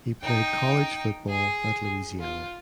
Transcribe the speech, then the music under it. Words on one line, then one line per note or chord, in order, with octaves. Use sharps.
He played college football at Louisiana.
D#4 G5
G#4
F4